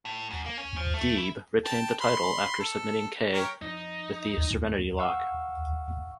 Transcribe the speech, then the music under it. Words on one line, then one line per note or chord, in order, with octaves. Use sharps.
Deeb retained the title after submitting Kay with the "Serenity Lock".
A2
F#2
A#3
C#4
F3
A3
E4
G5 A5
B5 C6
A4
G4 A#4 C#5
F2 D#4
F5 F#5 C#6 E6